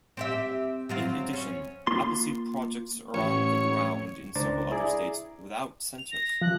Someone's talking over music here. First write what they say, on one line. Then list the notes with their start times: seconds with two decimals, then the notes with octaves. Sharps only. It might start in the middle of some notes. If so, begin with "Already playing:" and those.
In addition, Appleseed projects are on the ground in several other states without Centers.
0.17 C4 G4 E5
0.89 F#3 C4 F4
1.33 C#4
1.87 A#3 F4 C6
3.14 A1 C#5
4.35 C#2 D4 C5 A#5 D6 A6
4.71 E4 G#4 D5 E5 A#5
5.98 F7
6.11 A#6
6.42 F3 F#6